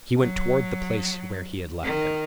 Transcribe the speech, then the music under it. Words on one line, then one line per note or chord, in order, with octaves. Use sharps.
He went toward the place where he had left him.
F#3
D#3